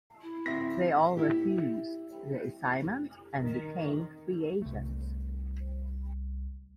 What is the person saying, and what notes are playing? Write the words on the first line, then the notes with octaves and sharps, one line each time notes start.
They all refused the assignment and became free agents.
E4
D2 A2 C4 E5 A#6
E4 G4
D#3
C2 A3